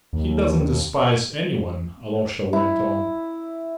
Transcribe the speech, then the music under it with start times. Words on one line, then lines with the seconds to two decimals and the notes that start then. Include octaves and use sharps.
"He doesn't despise any one," Alyosha went on.
0.13 D#2
2.53 E4